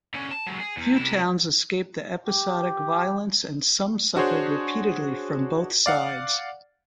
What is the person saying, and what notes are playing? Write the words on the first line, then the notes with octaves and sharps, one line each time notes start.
Few towns escaped the episodic violence and some suffered repeatedly from both sides.
D3 C#4
A5
F#3 G#3
G#4
E2
C3 E4
G4
D4 F#4 G#4 C5 C#5
D5 F5 F#5